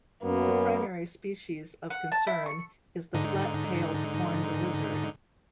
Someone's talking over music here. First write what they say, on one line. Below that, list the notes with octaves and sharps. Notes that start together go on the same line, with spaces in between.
The primary species of concern is the flat-tailed horned lizard.
F#2 A#3 B3
F#5
A5
E4
C#6
G#2 D3 D#4